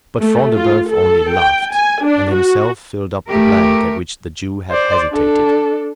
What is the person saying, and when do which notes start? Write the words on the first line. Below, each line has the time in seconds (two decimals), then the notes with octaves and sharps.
But Front-de-Boeuf only laughed, and himself filled up the blank at which the Jew had hesitated.
0.19 A3
0.55 F4
0.89 A4
1.36 G5
1.73 G#5
2.03 D4
2.32 F#4
3.27 A3 G4 A#4
4.70 C5 D5
5.11 D4 A4